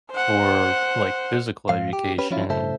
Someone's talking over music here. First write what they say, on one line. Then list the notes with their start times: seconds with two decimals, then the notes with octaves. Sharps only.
for, like, physical education,
0.11 C5 F#5
1.69 G#2 F3 F5
1.93 G4
2.18 C#4 G4 B4
2.31 F3 F#3 C#4 E4 F4
2.50 A2 C#3 A4 C5 E5 A5